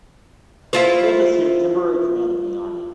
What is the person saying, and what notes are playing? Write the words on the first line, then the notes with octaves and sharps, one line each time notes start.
Smith assumed temporary command of the army.
E4 F4 C5